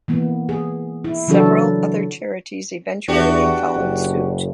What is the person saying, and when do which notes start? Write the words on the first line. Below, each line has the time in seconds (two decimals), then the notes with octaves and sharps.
Several other charities eventually followed suit.
0.08 E3 A#3 B3
0.49 G#4
1.04 E4
1.28 C#3 E3 F#3 D4 F#4 A4
3.08 E2 D4 F#4 G4
3.76 F#1